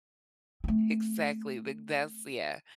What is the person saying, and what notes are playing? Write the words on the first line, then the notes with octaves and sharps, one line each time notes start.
Exactly, big that's yeah.
A3 C4